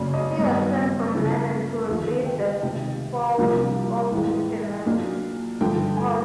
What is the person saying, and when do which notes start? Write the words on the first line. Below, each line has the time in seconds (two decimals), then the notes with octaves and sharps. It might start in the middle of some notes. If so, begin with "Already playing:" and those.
He was sent from London to rebuild the Fort at Penobscot.
Already playing: F#2 C#3 F#3 A#3 C#4 D5
0.14 D#5
0.39 G2 D#3 F#3 B3
1.14 C#3 F3 A3 C#4 E4
1.88 D#2 D3 F3
2.26 G5
2.62 C#2 C3 D#3 G5
3.38 C2 C3 F3 A#3 D4
4.11 A2 E3 G#3
4.85 A#2 F#3 A#3 D4
5.61 G2 D3 F3 A3 G5
5.97 G#5